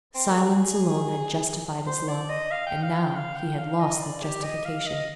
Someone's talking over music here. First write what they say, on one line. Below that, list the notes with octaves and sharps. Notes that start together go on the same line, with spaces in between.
Silence alone had justified his love, and now he had lost that justification.
C4
A#4
G#4
C5
D5
D#5
F5
G5
F5
G5
F5
G5
F5
D#5
D5
G4
D#5
F5
D#5